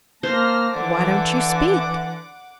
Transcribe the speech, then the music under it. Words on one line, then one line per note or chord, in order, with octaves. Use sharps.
Why don't you speak?
A#3 C5 A5 F6 A#6
D3 E3 F#5 D6